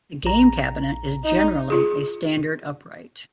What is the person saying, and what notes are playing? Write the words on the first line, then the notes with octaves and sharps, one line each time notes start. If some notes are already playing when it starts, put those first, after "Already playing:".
The game cabinet is generally a standard upright.
A#1 A#5
D#4
F4 G#4